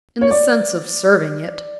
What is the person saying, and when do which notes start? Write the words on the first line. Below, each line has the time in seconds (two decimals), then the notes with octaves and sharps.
"In the sense of serving it."
0.21 C#5
0.30 D5